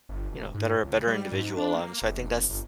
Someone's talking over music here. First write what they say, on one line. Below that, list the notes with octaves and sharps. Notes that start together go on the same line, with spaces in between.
you know, better better individual, um, so I think that's
G1
E1
G#2
C#2
G3
G#2
D4
A#3
F1
G1